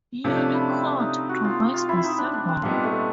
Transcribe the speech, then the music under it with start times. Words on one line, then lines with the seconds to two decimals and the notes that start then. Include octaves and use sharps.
Unicode provides the symbol.
0.24 C3 F3 A3 C#4 D4
0.40 D4
0.54 E4
0.70 C4
0.84 D4
1.00 D#4
1.29 F#4
1.45 F4
1.74 F4
1.89 E4
2.04 D#4
2.18 D4
2.34 D4
2.49 C4
2.63 A#2 G3 A#3 B3 D#4
2.84 A3